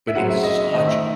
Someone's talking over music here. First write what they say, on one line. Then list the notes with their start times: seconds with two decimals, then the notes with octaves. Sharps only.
but in such
0.07 E5
0.15 C#3 F#3 C4 F#5
0.29 E5
0.43 D#5
0.58 D#5
0.73 D#3 A3 C4 D#5
0.87 E5